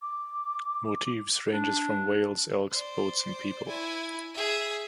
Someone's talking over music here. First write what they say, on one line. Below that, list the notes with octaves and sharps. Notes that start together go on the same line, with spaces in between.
Motifs ranges from whales, elks, boats and people.
D6
D4
C5 D5
E4 G#5
G#4 E5